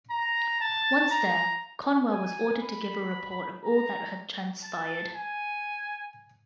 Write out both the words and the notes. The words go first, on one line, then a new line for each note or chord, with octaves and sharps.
Once there, Conwell was ordered to give a report of all that had transpired.
A#5
A5
A#5
G#5
B5
A#5
A5
G#5